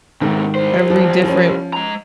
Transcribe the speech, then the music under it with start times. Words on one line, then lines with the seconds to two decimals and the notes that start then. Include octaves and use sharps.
every different
0.21 E2 G#2 C3 D#3
0.55 C2 C5
0.90 F3
1.24 F3 C#4
1.73 G#3 A#5